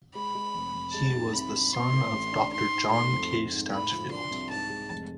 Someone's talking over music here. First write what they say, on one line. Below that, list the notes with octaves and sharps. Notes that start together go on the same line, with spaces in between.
He was the son of Doctor John K. Stanchfield.
G#3 B5
G#3
F1
F1
G#3 A5
G#2
C2 B5
D4
C4 C6
A2
A1
D4
G#2 C6
G#2
A3 C6
F2
G#2
G#2
A2 B5
F3
D4 C6
C2
G#2 A5
G#3
F1